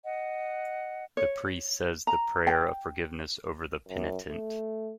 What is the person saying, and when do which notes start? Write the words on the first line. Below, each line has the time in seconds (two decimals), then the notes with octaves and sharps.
The priest says the prayer of forgiveness over the penitent.
0.05 D#5 F#5
1.17 C#5
2.07 A#5
2.47 G5
3.89 F#2
4.29 A3